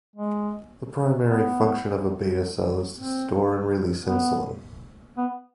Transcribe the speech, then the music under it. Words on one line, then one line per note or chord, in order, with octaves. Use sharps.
The primary function of a beta cell is to store and release insulin.
G#3
B3
C4
B3
B3